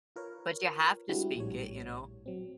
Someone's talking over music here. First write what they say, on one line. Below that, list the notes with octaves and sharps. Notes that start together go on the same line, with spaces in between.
But you have to speak it, you know?
F4 A#4 B4 C#5
G3 G#3 C4 D4 E4 F#4
A#1 A2 G3 C#5
F#3 C4